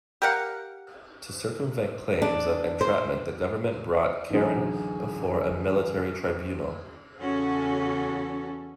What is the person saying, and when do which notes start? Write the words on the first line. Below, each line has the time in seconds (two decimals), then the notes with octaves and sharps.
To circumvent claims of entrapment, the government brought Caron before a military tribunal.
0.22 G4 A#4 F5 F#5
2.22 D4
2.81 C5
4.30 A1 D2 D3 F#3 D#4 G#4
7.20 E2 C#3 C#4 F#4 A4